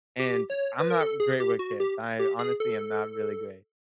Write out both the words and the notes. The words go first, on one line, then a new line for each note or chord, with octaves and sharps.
and I'm not great with kids, I honestly am not really great,
G4
C#5
B4
A#4
A4
G#4
G4
F#4
G4
G4
G#4
A4